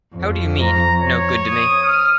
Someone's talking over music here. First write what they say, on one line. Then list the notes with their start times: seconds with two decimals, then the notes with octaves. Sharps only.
How do you mean, no good to me?
0.16 F2
0.61 A#5
1.01 C#5
1.50 D#6
1.84 F6